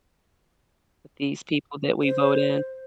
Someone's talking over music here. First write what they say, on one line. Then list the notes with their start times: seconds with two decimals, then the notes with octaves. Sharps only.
with these people that we vote in.
2.03 C5